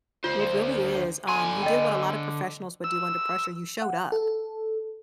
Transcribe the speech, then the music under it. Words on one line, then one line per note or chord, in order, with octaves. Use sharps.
It really is, um you did what a lotta professionals would do under pressure, you showed up.
D2 F4 C5
D3 G#5 B5 C6
D#5 G5
E6
F#5
A4